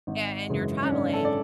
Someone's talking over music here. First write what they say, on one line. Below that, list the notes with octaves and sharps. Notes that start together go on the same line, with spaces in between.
a and you're traveling
G#1
F#2 C#3 E3 G#3
C#4
G#1 D4
A4
D5